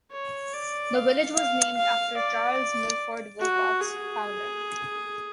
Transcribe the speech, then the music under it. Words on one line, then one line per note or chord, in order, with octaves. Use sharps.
The village was named after Charles Milford Wilcox, founder.
C#5
D5
F5
F5
F5
D5
F#4
G#4